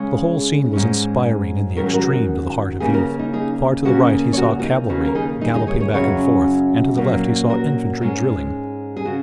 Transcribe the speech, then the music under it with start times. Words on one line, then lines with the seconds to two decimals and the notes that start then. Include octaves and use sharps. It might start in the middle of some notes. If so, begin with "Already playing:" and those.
The whole scene was inspiring in the extreme to the heart of youth. Far to the right he saw cavalry galloping back and forth, and to the left he saw infantry drilling.
Already playing: C#3 G#3 C#4 G#4 C#5
0.73 G#2 G#3 C#4
1.76 G#2 D#3 F#3 C#4 A#4
1.86 G#4
1.94 F#4 A#4
2.80 C#3 A#3 C#4 D#4 G#4
2.94 F#4 A#4
3.19 D#4
3.33 D#4 G#4
3.85 C#3 A#3 C#4 F#4 A#4
4.33 C#5
4.37 F#4 A#4
4.59 F#4
4.63 D#4
4.89 D#2 C#3 A#3 C#4 F#4
5.06 A#4
5.15 D#4 G#4
5.41 D#4 G#4
5.54 D#4 G#4
5.67 G#4 C#5
5.80 G#4 C#5
5.94 F#2 C#3 F#3 C#4 G#4 C#5
6.97 A#2 F#3 A#3 C#4
7.50 F#4 A#4
8.01 G#2 G#3 C#4
8.97 G#4
9.05 C#3 F#4